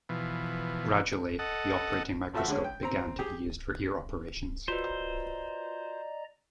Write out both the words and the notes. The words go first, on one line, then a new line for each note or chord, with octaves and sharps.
Gradually the operating microscope began to be used for ear operations.
B2 E3 F3
A4 D#5 F#5
A2 F3 A3 F#4 E5
D3 G#3 C#4
G5
C4 A#5
G4 G#4
F4 F#4 B4 C5 D5 D#5 A#5